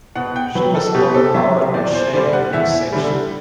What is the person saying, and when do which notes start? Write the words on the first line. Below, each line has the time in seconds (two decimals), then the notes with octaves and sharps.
She was overpowered by shame and vexation.
0.15 B2 F#5
0.36 G5
0.55 F#3 B4
0.75 A4
0.94 B2 G4
1.15 A4
1.34 F#3 E5
1.74 E2 D5
1.94 C5
2.14 D3 G3 D5
2.33 F#5
2.53 E2 E5
2.92 D3 G3